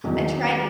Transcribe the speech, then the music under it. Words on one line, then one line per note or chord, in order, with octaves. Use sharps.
I tried t
E2 D#3 F#3